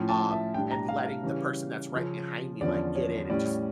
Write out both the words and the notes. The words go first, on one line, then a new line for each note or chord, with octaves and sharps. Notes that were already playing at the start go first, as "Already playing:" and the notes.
Um, and letting the person that's right behind me like get in and just
Already playing: A2 F3 C#4
A5
E5
A2 G3 D4 G5
A#5
F5
F5
C#3 E3 G3 C#4
C#3 F3 C#4
E2 D3 F3 C#4 D5
C#5
A2 G3 C#4 D5